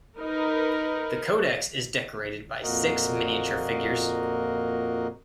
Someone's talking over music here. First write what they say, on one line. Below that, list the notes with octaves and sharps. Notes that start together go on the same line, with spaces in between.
The codex is decorated by six miniature figures.
D#4 A#4 B4
F2 A#2 A#3 F#4 A#4 D#5